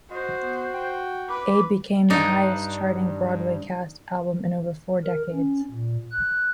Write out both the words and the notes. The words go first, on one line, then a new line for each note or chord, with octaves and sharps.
A became the highest-charting Broadway cast album in over four decades.
F#4 C5 D#5
B3
G5
B4 D6
G2 D4 D#4
A#4
C#4
A#2
F#6